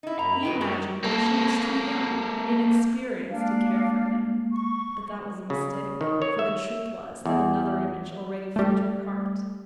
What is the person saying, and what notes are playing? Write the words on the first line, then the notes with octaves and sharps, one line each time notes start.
He imagined that she was too young and inexperienced to care for him; but that was a mistake, for the truth was that another image already filled her heart.
D#4 E4
F#2 A#3 A#5 B5
F#2 A#2 D3 D#3 B4 G5
D3 F#4 A#4
A#3 A4
G#3 A#3 D4 F5
C#6
C#3
D#3
C#5
E5
E2
G3 A3